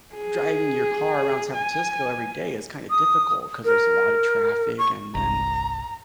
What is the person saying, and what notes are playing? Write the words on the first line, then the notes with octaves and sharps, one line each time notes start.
driving your car around San Francisco every day is kinda difficult 'cause there's a lot of traffic, and then
G#4
G#5
D#6
A#4
C#6
G1 C2 A#5